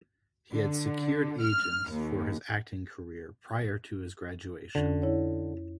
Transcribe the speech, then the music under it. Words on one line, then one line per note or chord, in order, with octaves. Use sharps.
He had secured agents for his acting career prior to his graduation.
D3
F6
D#2
F2 D3 C#4
E4 C#5